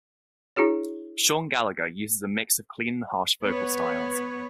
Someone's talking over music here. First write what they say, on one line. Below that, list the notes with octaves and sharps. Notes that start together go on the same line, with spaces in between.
Shawn Gallagher uses a mix of clean and harsh vocal styles.
D4 E4 F#4 G#4 C#5
B3 B4 C#5